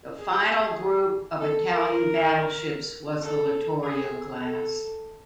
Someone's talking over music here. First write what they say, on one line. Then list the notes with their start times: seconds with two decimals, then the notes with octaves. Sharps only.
The final group of Italian battleships was the "Littorio" class.
0.19 G#4
1.40 A4
1.70 A#4
3.22 A4
3.83 G#4
4.44 A4